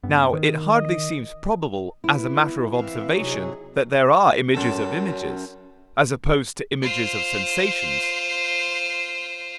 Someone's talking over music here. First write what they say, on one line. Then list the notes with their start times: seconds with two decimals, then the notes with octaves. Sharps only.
Now, it hardly seems probable, as a matter of observation, that there are images of images, as opposed to images of sensations.
0.03 G2 B3
0.33 D#3
0.74 D#5
2.04 B3 E4
2.73 E3 C4 E5 F5
3.11 C3 F#3 D#4 G#4
4.54 F#2 A4
6.83 F4 C5